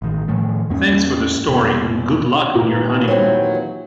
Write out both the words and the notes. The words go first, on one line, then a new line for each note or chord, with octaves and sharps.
Thanks for the story and good luck on your honeymoon.
A1 D#3
A2 D#3 F3 A3
E2 G#2 A#3 C#4
F1 B2 A#3 B3
D#2 A#2 E3 A#5
F#3 B3 C4